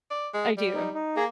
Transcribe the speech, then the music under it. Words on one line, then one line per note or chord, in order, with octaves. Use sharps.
I do.
D5
G#3
G3
D#4
D#4
A#3 G#4 A#5